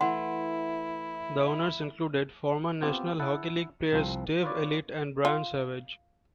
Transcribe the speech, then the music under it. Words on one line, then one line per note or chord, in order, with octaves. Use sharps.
The owners included former National Hockey League players Dave Ellett and Brian Savage.
E3 A3 E4 F#5 C6
B3 C4 F4 G4
E4 F#5 A5
C2 F3 C4
F4 B4 C#5 D5
F4